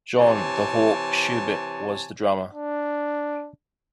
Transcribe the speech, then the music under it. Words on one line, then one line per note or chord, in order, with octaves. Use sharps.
John "the Hawk" Schubert was the drummer.
C3 E3 C#5 G#5 A5
D4